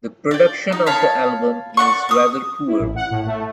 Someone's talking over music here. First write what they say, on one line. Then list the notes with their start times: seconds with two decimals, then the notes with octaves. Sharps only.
The production of the album is rather poor.
0.31 D5 G5
0.72 D#4
0.86 C#5 F5 A5 B5
1.77 D5 D#5 F#5 C#6
2.09 C#6 D#6
2.67 E4
2.80 A1
2.96 F#5
3.11 A2
3.26 A3